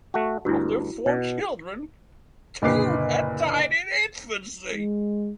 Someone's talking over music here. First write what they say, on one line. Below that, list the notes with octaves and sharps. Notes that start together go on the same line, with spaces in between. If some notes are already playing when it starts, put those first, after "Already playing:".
Of their four children, two had died in infancy.
A3 F#4
D2 G2 E4 F#4
B2
F#1 A#2 D3 B4 D6 C7
G#3